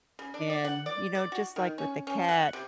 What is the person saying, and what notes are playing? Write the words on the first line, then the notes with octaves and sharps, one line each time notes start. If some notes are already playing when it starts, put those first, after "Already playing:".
and, you know, just like with the cat,
C#3
D4
D5
F#5
D5
D5
F#4
D#3
C#4
C#4
F#5
C3